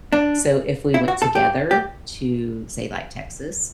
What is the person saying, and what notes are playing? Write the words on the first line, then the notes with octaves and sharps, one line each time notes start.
So, if we went together to say like Texas,
D4
E4
F#4
A4
G4
G4